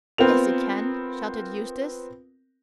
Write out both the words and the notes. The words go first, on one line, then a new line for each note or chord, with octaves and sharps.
"Yes, it can," shouted Eustace.
B3 C4 F4 A#4 F7